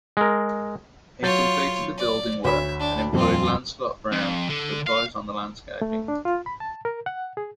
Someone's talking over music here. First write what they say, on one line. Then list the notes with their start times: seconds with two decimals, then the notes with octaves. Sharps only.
He completed the building work and employed Lancelot Brown to advise on the landscaping.
0.17 G#3 A#4
1.22 F#3 F4 C#5 G6 A6
1.97 D5
2.44 D2 C#5 E5 B5
2.79 D4
3.13 D#1 F2 C4 F4
4.12 F2
4.49 D3
4.87 F5
5.82 A3
6.08 D4
6.25 F4
6.46 B5
6.60 A5
6.85 A#4
7.06 F#5
7.37 G#4